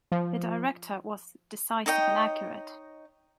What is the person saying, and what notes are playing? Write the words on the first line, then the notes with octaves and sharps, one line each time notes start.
The Director was decisive and accurate.
F3
D#4 C#5 D#5 G5